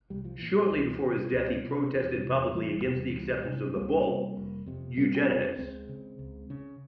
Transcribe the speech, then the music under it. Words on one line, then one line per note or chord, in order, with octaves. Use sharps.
Shortly before his death he protested publicly against the acceptance of the bull "Unigenitus".
C2 G3
F3
A#2 E3
F3
C#2 E3
C3
C#2 F3
C3
E1
E2 C3
E1 E3 G3
E2 C3
C#2
C3
C4
C#2 G3 A#3
C3
F1
F2 C3
F1 G3 A#3
F2 C3
C#4
C#2 G#3 C4
C#3
C#2
C#3